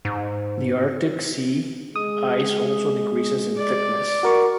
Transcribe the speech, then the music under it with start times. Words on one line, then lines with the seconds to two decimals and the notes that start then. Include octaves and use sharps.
The arctic sea ice also decreases in thickness.
0.05 G#2
1.96 G#3 D#6
3.59 D5
4.23 F#4 A#4 C#6